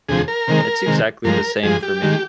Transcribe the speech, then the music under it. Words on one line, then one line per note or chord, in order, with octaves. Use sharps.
It's exactly the same for me.
D2 C3 F3 G#4
A#4
C3 D#3 G#3
C3 D#3 G#3
G2 F3 G#3 A#4
G2 F3 G#3 G#4
G4
D#3 G#3